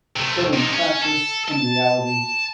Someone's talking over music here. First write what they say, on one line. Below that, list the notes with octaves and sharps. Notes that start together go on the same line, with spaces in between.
but in practice, in reality,
C3 A3
C3 D#4
C#4
A4
A5